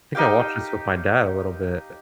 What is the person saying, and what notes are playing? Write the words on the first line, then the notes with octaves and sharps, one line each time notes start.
think I watched this with my dad a little bit,
D#4 G4 F5 G5